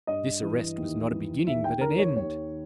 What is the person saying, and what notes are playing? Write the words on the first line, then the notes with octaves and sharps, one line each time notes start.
This arrest was not a beginning, but an end.
G2 D#5
E3
D#2
E3
D#2 E5
G5
D#3 A#4
C#5
D#2 C#5